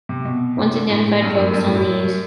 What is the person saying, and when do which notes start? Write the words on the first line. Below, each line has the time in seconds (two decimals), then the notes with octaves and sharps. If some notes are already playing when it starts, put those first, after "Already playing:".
Once identified focus on these.
0.09 C3
0.25 B2
0.58 C3
0.74 D3
0.90 A2
1.22 G2
1.37 F#2
1.54 G2
1.64 A2
1.75 F#2